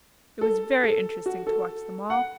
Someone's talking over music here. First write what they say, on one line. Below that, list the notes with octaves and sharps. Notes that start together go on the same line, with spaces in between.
It was very interesting to watch them all.
A4
A4
F#4
A4
F#5